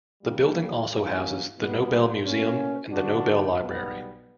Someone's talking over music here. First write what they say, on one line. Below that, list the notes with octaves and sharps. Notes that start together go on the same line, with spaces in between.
The building also houses the Nobel Museum and the Nobel Library.
E2 D3 G3 A#3
G2 E3 A#3 C#4
A#2 G3 B3
B2 A#3 C#4
D3 F#3 B3 D4 F#4
B1 B2 G3 B3